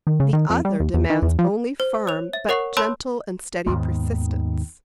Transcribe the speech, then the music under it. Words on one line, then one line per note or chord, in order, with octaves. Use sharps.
The other demands only firm, but gentle and steady persistence.
D#3
C#3
D#3
F2
G3
D#2
E2
D#3
E2
F3
C5
C#5 F7
E5
A#4 C#5 F#5 C#6
C#5 A5 B5 C6 E6 G6
D#2 G#2 D#3 B3